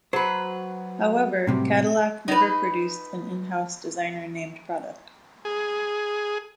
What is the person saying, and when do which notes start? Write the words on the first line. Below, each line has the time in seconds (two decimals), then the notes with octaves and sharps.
However, Cadillac never produced an in-house designer-named product.
0.13 F#3 B4 C5
1.47 A2 C3 G3
2.28 D#4 B4
5.45 G#4